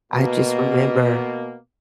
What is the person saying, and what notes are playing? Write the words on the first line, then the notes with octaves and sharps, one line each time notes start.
I just remember
B2 A#3